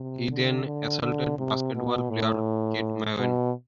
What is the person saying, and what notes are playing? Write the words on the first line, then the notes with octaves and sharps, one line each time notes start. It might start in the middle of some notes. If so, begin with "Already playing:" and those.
He then assaulted basketball player Kate McEwen.
Already playing: C3
D3
D3
D3
C3
B2
A2
B2